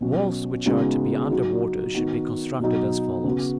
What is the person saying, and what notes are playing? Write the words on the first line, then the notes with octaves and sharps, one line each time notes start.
Walls which are to be under water should be constructed as follows.
B2 F#3 C#4 F#4
C#3 G#3 B3 D#4 F#4
F#3 D#4 F#4
D#3 B3 D#4 F#4
B2 F#3 D#4 F#4
C#3 B3 F#4